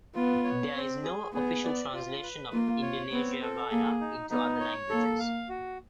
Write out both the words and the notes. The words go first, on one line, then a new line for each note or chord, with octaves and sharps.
There is no official translation of "Indonesia Raya" into other languages.
B3 F4
C#5
C4
G#4
B3 G#4
D5
F4
B4
A#3 F4
C#5
B3 C4
A4
A#3 G#4
D#4
B3 D#4
C#5
A#3 A4
F5
F#4